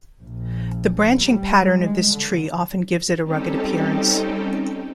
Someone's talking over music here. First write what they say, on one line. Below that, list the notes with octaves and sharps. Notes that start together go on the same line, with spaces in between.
The branching pattern of this tree often gives it a rugged appearance.
A#1
G3
G#3
D3
G3 C4 C#4 D#4 G4 A4